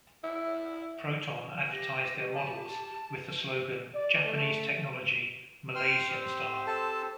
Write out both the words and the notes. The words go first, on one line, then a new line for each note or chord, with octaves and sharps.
Proton advertised their models with the slogan "Japanese Technology, Malaysian Style".
E4
G4 A#6
A5
D5
A3
G5 C6 F6
C4 G4 C5
A4 A5